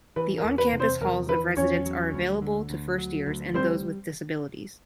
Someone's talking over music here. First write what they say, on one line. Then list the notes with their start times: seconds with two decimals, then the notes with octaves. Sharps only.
The on-campus halls of residence are available to first years and those with disabilities.
0.16 E3 B4
0.38 A#4
0.44 E2
0.58 B4
0.73 C3
0.80 C4 C5
1.01 E2 A#4
1.29 E3 B4
1.57 E2 C#4 C#5
1.86 F#3
2.14 D2
2.42 D3
2.70 D2
2.98 F#3
3.27 D2
3.54 G3 C4 C5